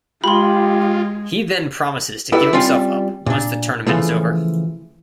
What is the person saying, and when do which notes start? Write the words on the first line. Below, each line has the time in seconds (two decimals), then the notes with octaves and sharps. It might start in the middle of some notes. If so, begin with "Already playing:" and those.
He then promises to give himself up once the tournament is over.
0.24 G#3 F4 G4 B5 C6
2.32 E4 G4 A4 B4 E5
2.53 G3 C4 C#4 F4 F5
3.26 A#2 D4
3.87 C#3 E3 F3 A3